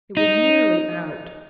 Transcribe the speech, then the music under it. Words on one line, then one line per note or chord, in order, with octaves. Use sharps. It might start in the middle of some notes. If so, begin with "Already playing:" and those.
It was nearly out.
D#4